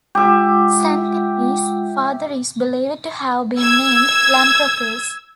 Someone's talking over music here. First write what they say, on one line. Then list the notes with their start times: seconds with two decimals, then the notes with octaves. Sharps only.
Xanthippe's father is believed to have been named Lamprocles.
0.15 G#3 F4 G4 E5 F#5
3.60 E6 G#6